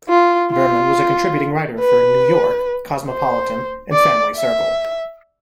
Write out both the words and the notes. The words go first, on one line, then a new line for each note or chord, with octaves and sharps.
Berman was a contributing writer for "New York", "Cosmopolitan" and "Family Circle".
F4
F4
B4
C5
D5
E5